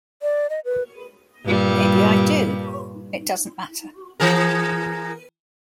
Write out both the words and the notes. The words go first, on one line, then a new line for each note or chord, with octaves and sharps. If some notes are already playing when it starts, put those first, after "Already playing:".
Maybe I do; it doesn't matter.
D5
D#5
B4
G2 A#2 G3
E3 G#4 A#4